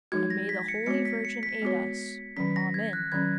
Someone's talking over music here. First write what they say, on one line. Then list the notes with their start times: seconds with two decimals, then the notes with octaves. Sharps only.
And may the Holy Virgin aid us, Amen.
0.12 F3 G#3 D#4 F#4 G#6
0.30 A#6
0.49 B6
0.68 C#7
0.86 G#3 B3 F#4 C#5 C#7
1.05 B6
1.25 C#7
1.43 B6
1.62 G#3 B3 F#4 C#5
2.37 D#3 F#3 C#4 B6
2.56 A#6
2.74 G#6
2.93 F#6
3.12 D#3 F#3 C#4 G#6